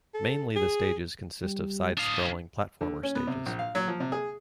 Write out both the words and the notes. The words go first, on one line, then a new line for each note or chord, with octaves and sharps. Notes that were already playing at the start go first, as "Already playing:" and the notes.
Mainly the stages consist of side-scrolling platformer stages.
A4
G#4
G3
D4 F5 D#6
D3
C#4
B3
C3
A#1
F5
F#3
F3
C3
G#4